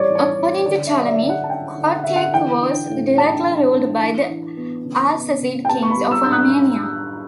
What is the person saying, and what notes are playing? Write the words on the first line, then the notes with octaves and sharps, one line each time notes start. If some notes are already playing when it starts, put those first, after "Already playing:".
According to Ptolemy, Kotayk was directly ruled by the Arsacid kings of Armenia.
Already playing: E3 G3 C#4 C#5 D5
E3 C#5
C#4
D3 D5
E5
F#3
D5
E5
D3
F#5
A5
C#4 G5
D3
F#5
D3 E5
F#5
E3 G5
D4
A2
D4 A5
E3
D4
E3
E3
B3
C#3
B3
C#3
G5
B3 A5
C#6
B5
G3
E6
D4 G6
F#6